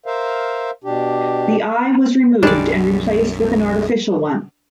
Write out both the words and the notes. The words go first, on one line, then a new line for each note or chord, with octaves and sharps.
The eye was removed and replaced with an artificial one.
A#4 C5 E5 F5
B2 D4 G4
B1 F#2 G3 G#3 D4 D5